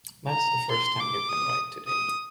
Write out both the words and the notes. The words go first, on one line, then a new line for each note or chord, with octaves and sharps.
That's the first time you've been right today.
A#5
C6
D6
D#6
D#6